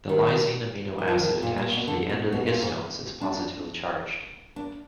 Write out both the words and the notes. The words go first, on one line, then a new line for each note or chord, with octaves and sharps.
The lysine amino acid attached to the end of the histones is positively charged.
D#3
D#3
F3
D#3
A#2
A#2
B2
D3
B2
B2
A#2
G#2
D4
D4